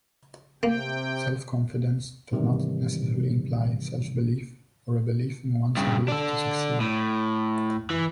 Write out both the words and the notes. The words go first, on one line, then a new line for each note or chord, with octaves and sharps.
Self-confidence does not necessarily imply "self-belief" or a belief in one's ability to succeed.
C3 A#3 G5
G#2 C3 D#3 E3 G3
G2 C#3
D4 A4
A2
E3